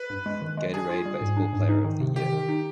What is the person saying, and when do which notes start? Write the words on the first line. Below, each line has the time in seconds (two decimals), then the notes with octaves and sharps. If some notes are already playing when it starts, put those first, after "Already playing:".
Gatorade Baseball Player of the Year.
Already playing: B4
0.10 G2
0.26 G#3
0.41 D#3
0.57 G#3
0.74 D4 G#4
0.89 F4
1.06 G3
1.21 G#2
1.37 D4
1.53 G#2
1.69 D#4
1.85 D#3
2.01 C3
2.16 D#3 G4
2.32 D#3
2.49 D#4